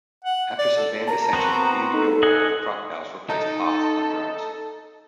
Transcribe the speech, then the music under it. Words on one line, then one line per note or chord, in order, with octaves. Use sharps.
After some band dissension, Ian Gilroy of the Crocodiles replaced Hough on drums.
F#5
D5
A4
A#4 A5 A#5
B3 C4 F#4
D#4 A4
D#5 F#5 G#5
D#4 A4